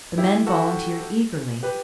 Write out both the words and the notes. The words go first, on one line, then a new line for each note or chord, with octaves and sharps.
The men volunteered eagerly.
E4 G4
F#4 A4
G4 B4